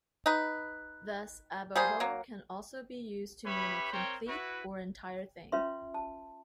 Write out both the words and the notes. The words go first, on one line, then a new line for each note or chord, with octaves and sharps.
Thus "ab ovo" can also be used to mean a complete or entire thing.
D#4 B4
G3 A#3 G#4 C5
F#3 A#3
C#4 G4 B4 C#5 E5 B5
G3 C4 A#4 C5 C#5 G5
E4 F#4 B4
C#4 F4 B4 E5 C6
A5